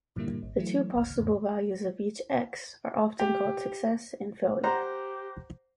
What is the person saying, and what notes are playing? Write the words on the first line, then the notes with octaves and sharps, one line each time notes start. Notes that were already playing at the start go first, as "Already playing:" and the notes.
The two possible values of each "X" are often called "success" and "failure".
G2 A#2 D3 G3 A#3 E4
G#1
E3 F#3 A3 E4
G#1 D2 F6
E2 G#2 C#3
G4
G4 C5 F#5 A#5